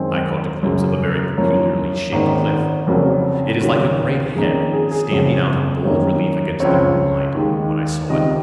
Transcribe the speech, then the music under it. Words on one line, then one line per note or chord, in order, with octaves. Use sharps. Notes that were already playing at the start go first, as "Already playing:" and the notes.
I caught a glimpse of a very peculiarly shaped cliff--it is like a great head, standing out in bold relief against the moonlight, when I saw it.
Already playing: F#2 D#3 G#3 C4 G#5
F#2 C#3 F#3
F#2 F3 A#3 C#4
G#1 G#2 D#3 A#3 C#4
F1 F2 C#3 F#3 A#4
D#2 C#3 F#3
F2 D#3 A#3 C#4 G#4
G#4
G#4
F#1 F2 C#3 F#3 C#4
F#2 D#3 A#3 C#4
C#2 C#3 F3 C4 C#5
D#2 D#3 G#3
C#2 C3 D#3 D#5